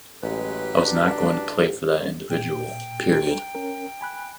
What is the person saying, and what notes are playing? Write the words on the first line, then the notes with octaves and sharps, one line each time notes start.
I was not going to play for that individual -- period.
A1 F#3 G#3 G4 B4
D4
A#2 G5
C#4 A#4
G#5 B5 F#6